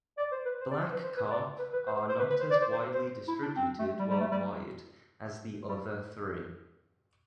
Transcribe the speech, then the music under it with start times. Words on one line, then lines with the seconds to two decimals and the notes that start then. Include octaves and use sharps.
Black carp are not as widely distributed worldwide as the other three.
0.18 D5
0.32 C5
0.45 B4
0.60 C5
0.71 D5
0.82 C5
0.92 B4
1.03 C5
1.17 B4
1.30 D5
1.59 B4
1.73 B4
1.87 C5
2.09 C5
2.19 B4
2.30 B4
2.40 C5
2.51 D5
2.61 C5
2.72 C5
2.94 C5
3.28 E4
3.42 D4
3.56 C4
3.79 A3
3.99 G3
4.10 G3
4.20 A3
4.31 G3
5.68 G3